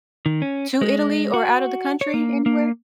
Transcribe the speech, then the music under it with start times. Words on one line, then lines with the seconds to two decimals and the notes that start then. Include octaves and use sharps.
to Italy or outta the country, anywhere?
0.26 D#3
0.42 C#4
0.81 G#3
1.34 F#4
2.01 C#5
2.14 A#3
2.46 A#3